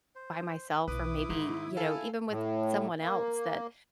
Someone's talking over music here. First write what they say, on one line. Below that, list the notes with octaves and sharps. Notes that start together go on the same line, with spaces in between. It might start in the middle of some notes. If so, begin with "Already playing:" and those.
by myself or maybe, you know, even with someone else, that
C5
B1 E4 B4 D6 D#6
G#2 D#3 D#4
E4 A4 F5 G#5
A2
A#3